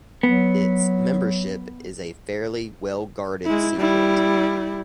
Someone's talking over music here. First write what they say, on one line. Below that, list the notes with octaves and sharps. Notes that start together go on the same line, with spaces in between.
Its membership is a fairly well-guarded secret.
F#3 B3
G#3 E4
G3 E4